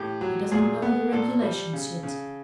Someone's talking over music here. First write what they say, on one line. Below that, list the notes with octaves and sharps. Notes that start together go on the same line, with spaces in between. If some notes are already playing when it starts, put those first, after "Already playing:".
He doesn't know the regulations yet.
Already playing: A2 G4
F#3
A#2 G#4
B3
A#2 A4
G3
C#3
C#3